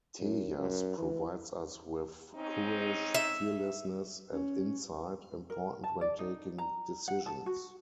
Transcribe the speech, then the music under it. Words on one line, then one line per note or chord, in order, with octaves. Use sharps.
Tejas provides us with courage, fearlessness and insight, important when taking decisions.
F#2
F#2
E3
C4 C#4 D#4
E5
C#4
A#4
A5
D5
D#4
A#5
F#5
A5
F#4